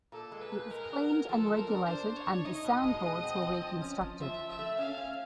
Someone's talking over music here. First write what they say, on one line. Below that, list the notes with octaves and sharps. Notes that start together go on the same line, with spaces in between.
It was cleaned and regulated and the soundboards were reconstructed.
A#2 A4
G#3
B4
A#2
G#3 A#4
B3
G#3
F3 A4
F3
A#4
D4
D4 C5
D4
C#5
D4
D#4 D#5
B2
G#3
B2
C4
C4
F3
C#4
F3
F3 E5
F3
E5
A3
C#4 F5
C#4